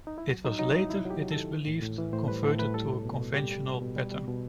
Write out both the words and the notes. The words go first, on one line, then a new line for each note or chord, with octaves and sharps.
It was later, it is believed, converted to a conventional pattern.
D#4
E4
F#3 F#4
F#3 D#4
F#3 D#4
F#3 E4
C3 E4
F#3
G4
F#3
D#3 A4
E3
A2
A2
E3
A2 C5
G3 B4
A2 A4
A2 B4
G3 A4
B2
B2
B2
G3 G4
G3
G3
B2
G3
G3
B2